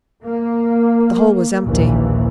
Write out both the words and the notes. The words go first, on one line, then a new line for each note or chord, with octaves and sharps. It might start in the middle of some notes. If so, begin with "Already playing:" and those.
The hole was empty.
A#3
A#1 D#2 E3